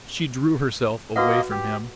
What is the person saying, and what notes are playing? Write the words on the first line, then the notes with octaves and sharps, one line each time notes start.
She drew herself away from him.
A#3 F#4 B4 D#5 F#5
G4